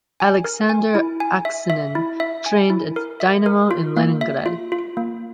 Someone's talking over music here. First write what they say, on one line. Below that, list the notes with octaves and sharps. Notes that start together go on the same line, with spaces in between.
Aleksandr Aksinin trained at Dynamo in Leningrad.
G#5
A#4
G#5
E4
G#5
E5
E5
E4
E5
G#5
E4
A#4
E5
A#4
F4
A#3
E5
F4
F4
A#3